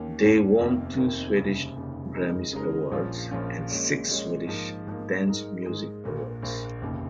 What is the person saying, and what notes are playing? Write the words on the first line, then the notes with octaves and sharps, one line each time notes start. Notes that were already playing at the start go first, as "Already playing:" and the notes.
They won two swedish Grammis Awards and six Swedish Dance Music Awards.
Already playing: D#2 D#3 C#4
D#2 D#3 C#4
F1 F2 D#3 A#3
F1 F2 D#3 A#3
F1 D#2 C#3
F1 D#2 C#3
C#3 G#3 D#4 A#4
C#3 G#3 D#4 A#4
A#1 A#2 F3 C#4 F4
A#1 A#2 F3 C#4 F4
A#2 G#3 C#4
A#2 G#3 C#4
G#2 F3 A#3
G#2 F3 A#3
G#2 G#3 D#4 A#4
G#2 G#3 D#4 A#4
A#1 A#2 A#3
A#1 A#2 A#3
F1 D#2 C#3